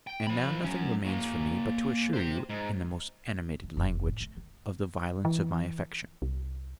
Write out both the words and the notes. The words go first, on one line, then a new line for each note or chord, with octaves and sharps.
And now nothing remains for me but to assure you in the most animated language of the violence of my affection.
G5
F3 B5
F#3 C#4
A#3 F#4
G4 C5
G#2
E3
F1
A2
A3
D#3
E3
C2